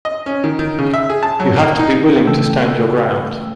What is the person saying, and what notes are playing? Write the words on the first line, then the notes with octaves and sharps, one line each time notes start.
You have to be willing to stand your ground.
D#5
C#4
D#3
D#3
C#3
E5
G#4
A5
F#3
A#3
D#4
C#3 E3 A3 A4 G5 E6